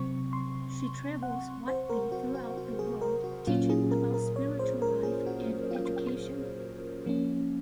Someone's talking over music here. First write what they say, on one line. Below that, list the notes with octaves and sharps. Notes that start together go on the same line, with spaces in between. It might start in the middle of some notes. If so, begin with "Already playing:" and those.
She travels widely throughout the world teaching about spiritual life and education.
Already playing: C3 F#3 C4 C#6
C6
F#5
C5
A#4
F#4
F#4
F#4
G#4
A#4
F#4
A#2 F#3 A#3 C#4 F4
G#4
A#4
A#4
C#5
C5
A#4
G#4
F#4
F4
F3 A#3 C#4